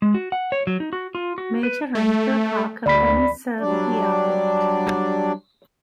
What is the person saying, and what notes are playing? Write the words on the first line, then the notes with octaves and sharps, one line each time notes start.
Major rental car companies serve the airport.
G#3
F#4
F#5
C#5
F#3
D#4
F#4
F4
F#4
B4
A3
D2 D5 B5 B6
F#3 G3 D4 D5